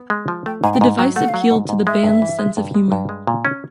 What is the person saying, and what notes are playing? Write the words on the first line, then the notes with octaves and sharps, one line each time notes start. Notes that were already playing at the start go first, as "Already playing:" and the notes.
The device appealed to the band's sense of humour.
Already playing: B3
G#3
F3
A3 G5
G#2 G#5
G5
G#2 G#5
F#3 G5
A3 F#5
F5
F#3
F#5
G#2
G#2
G#3 E5
G2
E3
G#3
G2
G#3
G2
G#3
A#2
C#4